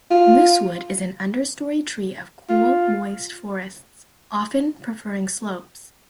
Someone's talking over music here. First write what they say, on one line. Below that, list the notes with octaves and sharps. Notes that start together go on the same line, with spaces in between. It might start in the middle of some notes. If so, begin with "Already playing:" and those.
Moosewood is an understory tree of cool, moist forests, often preferring slopes.
F4
F4